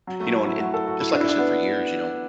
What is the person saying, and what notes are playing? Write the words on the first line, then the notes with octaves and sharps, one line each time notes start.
You know, and and d just like I said for years, you know,
F#3
A3
E4
F#4
A4
F#4
E4
D4
E4
D4
B3